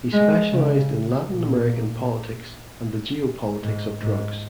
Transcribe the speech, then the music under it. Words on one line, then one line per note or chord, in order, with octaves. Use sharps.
He specialized in Latin American politics and the geopolitics of drugs.
G#3
C#3
A#2
G#2
G#2